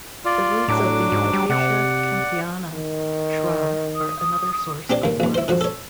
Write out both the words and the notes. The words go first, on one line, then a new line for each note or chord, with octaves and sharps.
The roots of the "Acacia kempeana" shrub are another source of the grubs.
F4 D5
A2 F#3 D4 D6
G#2
G3
C3 D5 F#5
D#3
D#6
C4 D4 G4 D5
D#2 A#3
A#1 D#2
E4 C5
D3 F3 F#4
A4 C#5